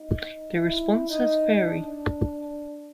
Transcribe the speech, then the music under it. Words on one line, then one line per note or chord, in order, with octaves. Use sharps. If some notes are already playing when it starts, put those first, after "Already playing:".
Their responses vary.
Already playing: D#4
E4
D#4
D4